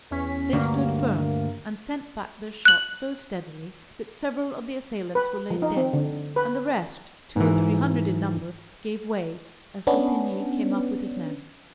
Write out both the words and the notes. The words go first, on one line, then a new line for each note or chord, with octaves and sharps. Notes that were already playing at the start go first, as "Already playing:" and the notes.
They stood firm, and sent back their shot so steadily that several of the assailants were laid dead, and the rest, two or three hundred in number, gave way as Ottigny came up with his men.
E2 C#4 B6
D2 G2 A#3
F#6 F#7
B4
F3
D#4
C4
D3
B4
G#2 E3
B3 C#4 D4